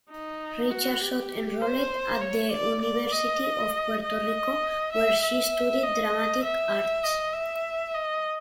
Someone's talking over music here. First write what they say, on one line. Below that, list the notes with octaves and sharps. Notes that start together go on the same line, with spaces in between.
Richardson enrolled at the University of Puerto Rico where she studied Dramatic Arts.
D#4
F#4
G4
C5
C#5
D5
D5
D#5
D#5
E5
E5
D#5
E5
D#5
E5
D#5